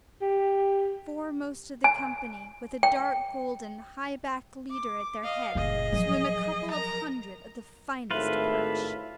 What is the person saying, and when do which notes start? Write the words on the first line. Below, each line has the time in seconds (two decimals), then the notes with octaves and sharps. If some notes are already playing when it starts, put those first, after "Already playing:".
Foremost of the company, with a dark-golden, high-backed leader at their head, swim a couple of hundred of the finest perch.
0.22 G4
1.84 G#5
2.83 G5
4.71 D6
5.23 D#5 F5
5.55 F#1 A#2 G#4 D#5
5.92 F3 F#3
6.72 A#4 A#5
8.11 G#1 A2 F4 B4 E5